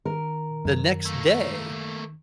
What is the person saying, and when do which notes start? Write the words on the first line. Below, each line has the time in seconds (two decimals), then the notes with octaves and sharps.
the next day,
0.05 D#3 A#4
0.65 F#2
1.06 A3 A#3